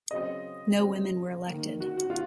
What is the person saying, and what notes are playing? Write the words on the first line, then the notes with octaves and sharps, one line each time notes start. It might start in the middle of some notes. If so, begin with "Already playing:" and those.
No women were elected.
C#3 F#3 C4 D#5
C#3 F#3 C4
D#3 A#3
F#4
F#4
F4